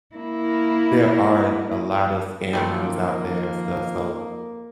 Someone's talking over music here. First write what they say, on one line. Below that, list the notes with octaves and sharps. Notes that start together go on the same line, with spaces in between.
there are a lot of scammers out there and stuff, so
A#3 E4
D#3 F3 G3 A3 A#3 C4